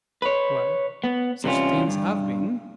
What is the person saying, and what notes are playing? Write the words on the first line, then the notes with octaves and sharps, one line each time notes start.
"Well, such things have been."
B4 C#5
B3
C3 E3 G3 B3 C#4 F4
G2